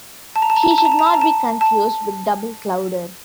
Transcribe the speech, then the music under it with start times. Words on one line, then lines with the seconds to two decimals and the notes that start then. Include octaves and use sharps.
He should not be confused with Doubleclouder.
0.36 A5
0.42 A#5
0.50 A5
0.56 A#5
0.63 A5
0.71 A#5
0.78 A5
0.85 A#5
0.92 A5
0.99 A#5
1.07 A5
1.14 A#5
1.21 A5
1.61 A5